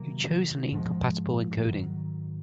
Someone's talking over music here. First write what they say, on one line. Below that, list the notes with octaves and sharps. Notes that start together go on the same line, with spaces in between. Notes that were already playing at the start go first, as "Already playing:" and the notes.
You chose an incompatible encoding.
Already playing: C3 D#3 F#3 A#3
G#2 F3 G#3
G#2 D#3 F#3